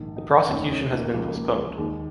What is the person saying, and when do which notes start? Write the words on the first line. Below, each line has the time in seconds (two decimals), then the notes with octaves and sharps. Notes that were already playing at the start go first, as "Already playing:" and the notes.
The prosecution has been postponed.
Already playing: A#1 G#2 D#3
0.16 D#4
0.49 F1 D#2 D#3 C#4
0.64 D#4
0.70 C#4
0.92 A#3
1.13 C#2 C#3 F3 A#3
1.35 A#3
1.56 G#3
1.77 D#2 D#3 G#3